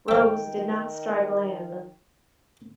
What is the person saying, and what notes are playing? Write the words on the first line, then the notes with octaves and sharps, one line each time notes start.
Rose did not strike land.
D#3 F3 E5 G5